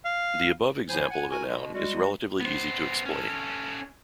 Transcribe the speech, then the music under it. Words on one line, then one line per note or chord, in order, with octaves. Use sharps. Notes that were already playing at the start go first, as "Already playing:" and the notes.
The above example of a noun is relatively easy to explain.
F5
A2 F3 E4 C5 G#5
F#5 G#5
F#4 A#4 G#5
B2 G#3
G3 G#3 F#4
B3 C5
C#4 A4